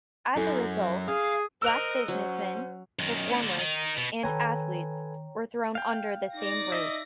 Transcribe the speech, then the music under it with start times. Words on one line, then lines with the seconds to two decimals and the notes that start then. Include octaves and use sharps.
As a result, black businessmen, performers, and athletes were thrown under the same roof.
0.37 F#2 E4 A4 G#5
1.08 G#4 F5
1.62 A#4 C5 D#5 E6 F#6 F7
2.08 F#3 C#4 C5
2.99 F#2 D#3
3.30 D2 C#3
3.43 D2 D3
3.59 D#3 D#4
3.98 B2
4.23 D#3 A4 B4 C#5 G5 G#5 A#5
5.75 F5 G5
6.36 D#4 D5 A#6
6.72 D#5 E5